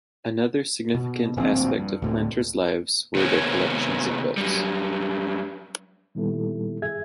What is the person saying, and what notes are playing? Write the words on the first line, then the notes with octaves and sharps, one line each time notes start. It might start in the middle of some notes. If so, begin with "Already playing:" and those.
Another significant aspect of planters lives were their collections of books.
B2
D1 A#1 F3 C4
G2
D2 A2 D3
C3 D#3 A#3 B3 G#4 C#5
F#2 G3
A#2 D#3 G3 B3 E4 A4
G2 G#4 E5 G#6